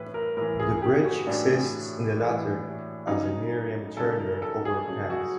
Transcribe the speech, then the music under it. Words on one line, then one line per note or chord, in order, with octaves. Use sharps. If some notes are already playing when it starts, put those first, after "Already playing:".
The bridge exists in the latter as the Miriam Turner Overpass.
Already playing: A2 E3 B4
A#4
A2 E3 A#4
G#4
G4
F#4
A2 E3 D4
A2 E3
C#3 F#3 D#4
C#3 F#3 A4
A#4
A4
G#4
C#3 F#3
F#4